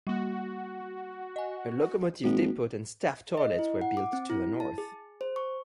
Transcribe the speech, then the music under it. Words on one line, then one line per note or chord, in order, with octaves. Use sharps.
A locomotive depot and staff toilets were built to the north.
G3 A#3 F#4
D#5 G#5
G#1 A#3 F#4
D#5
E4
F#5
D6
C4
E4
A5
G#4
C5
C#6